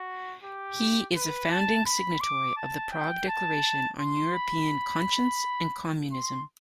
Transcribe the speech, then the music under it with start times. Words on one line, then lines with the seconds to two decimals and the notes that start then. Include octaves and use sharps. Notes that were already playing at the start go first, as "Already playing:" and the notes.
He is a founding signatory of the Prague Declaration on European Conscience and Communism.
Already playing: F#4
0.43 G4
1.16 B4
1.51 A5
1.86 B5
2.21 D6
2.57 A5
2.92 G5
3.28 A5
3.99 C6
4.33 B5
6.12 C6